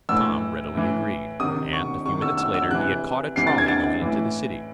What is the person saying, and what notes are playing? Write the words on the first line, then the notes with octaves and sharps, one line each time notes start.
Tom readily agreed, and a few minutes later he had caught a trolley going into the city.
A2 E3 E6
A2 E3
C3 D#3 D#6
C#6
C3 D#3 C#6
E6
E6
E6
C3 E3 F#6
C3 E3 C7
A6
G#6
A6
A2 E3